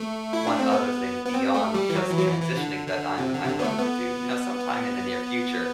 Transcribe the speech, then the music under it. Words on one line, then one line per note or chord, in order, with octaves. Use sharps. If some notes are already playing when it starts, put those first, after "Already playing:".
one other thing beyond just transitioning that I'm I'm hoping to do, you know, sometime in the near future,
Already playing: A3
E4
D4
C4
B3
B3
C4
A3
G3
E3
F#3
E3
F#3
E3
E3
D3
D3
C3
D3
C3
D3
B3
A3
B3